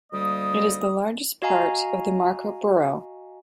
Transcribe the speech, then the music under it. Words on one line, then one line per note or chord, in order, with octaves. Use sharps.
It is the largest part of the Marka borough.
D2 G3 A#3 D#5 D#6
F#4 D#5 F5 G#5 A#5